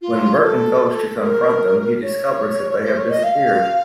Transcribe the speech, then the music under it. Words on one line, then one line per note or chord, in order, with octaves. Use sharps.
When Burton goes to confront them he discovers that they have disappeared.
F4
A4
A#4
C#5
C5
C#5
D#5
F5